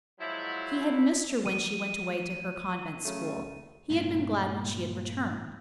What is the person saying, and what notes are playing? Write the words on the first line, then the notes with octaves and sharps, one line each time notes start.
He had missed her when she went away to her convent-school; he had been glad when she had returned.
F3 F#3 G#3 E4
F3 A3 D#7
C#3 F#3 A3
G2 A#2